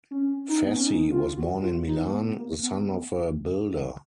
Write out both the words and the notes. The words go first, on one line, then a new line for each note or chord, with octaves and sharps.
Fassi was born in Milan, the son of a builder.
C#4
D#4
B3
C#4
D#4
F4
F#4
F4
D#4
A#3
B3
A#3
B3